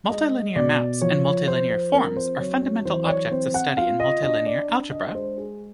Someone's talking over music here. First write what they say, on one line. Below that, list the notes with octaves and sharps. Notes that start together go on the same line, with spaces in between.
Multilinear maps and multilinear forms are fundamental objects of study in multilinear algebra.
G#3 D#5
B2 D5
F3 C#5
C#5
F3 C5
C5
C4 A#4
C5
F#3 C#5
C#5
E3 C5
D5
C#5
C4 C5
F#5
F4 F5
D#5
D4 D#5
D5
D4
D#5
G#3 C5
G#4